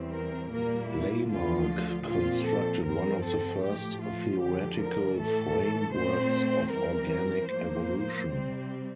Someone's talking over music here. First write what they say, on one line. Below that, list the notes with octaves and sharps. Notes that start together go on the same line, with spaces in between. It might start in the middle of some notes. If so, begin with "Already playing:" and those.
Lamarck constructed one of the first theoretical frameworks of organic evolution.
Already playing: E2 E3 G3 C4
A#4
A#2 G3 A#3 A#4
E4
D2 D3 F3 F4
A#2 F3 C4 F4
A4
G2 F3 C4 A#4
A4
A2 F3 A3 G4
F4
F2 D3 F3 G4
A#4
A2 E3 A3 A4
A#2 A3 C4 C5
F2 E3 G3 C4 A#4
A2 F3 A#3 C5
C3 G3 C4